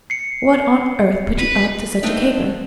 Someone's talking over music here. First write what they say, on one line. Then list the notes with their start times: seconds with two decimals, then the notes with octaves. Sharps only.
What on earth put you up to such a caper?
0.10 C7 C#7
1.39 B4
2.03 A3 B3 C4 D4 D#4